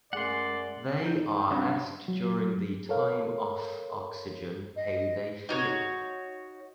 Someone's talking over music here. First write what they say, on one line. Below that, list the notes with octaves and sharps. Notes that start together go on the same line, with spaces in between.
They are asked during the time off oxygen how they feel.
F#2 G#3 A3 G#4 D5 F#5 C6
D#4 G6
G2 F#3 C4 C#4 F#5
F#3
A4 A#4 C#5 F5
D#5
D#4 F#4 C#5